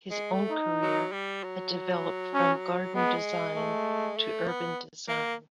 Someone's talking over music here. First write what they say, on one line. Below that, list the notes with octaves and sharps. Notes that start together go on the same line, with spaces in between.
His own career had developed from garden design to urban design.
G#3
A3
D#4
F#3
G3
F#3
C#4
G#3 B3
A3
A3
B3
A#3